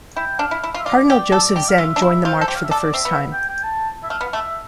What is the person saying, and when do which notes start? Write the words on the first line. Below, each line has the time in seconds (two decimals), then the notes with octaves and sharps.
Cardinal Joseph Zen joined the march for the first time.
0.16 E4 G5
0.39 D4 F5
0.51 E4
0.63 E4
0.74 F4
0.79 E5
0.86 F4 D5
1.10 G4
1.32 A4
1.56 G4
1.69 F5
1.78 F4 E5
1.96 D4
2.02 E4
2.25 F4 C5
2.41 A4
2.48 G4 C5
2.56 F5
2.64 E5
2.71 A4 D5
2.94 C4 E5
3.05 B3
3.33 G5
3.48 G5
3.63 A5
4.03 E5
4.10 A3 F5
4.21 B3
4.27 F5
4.33 A3 E5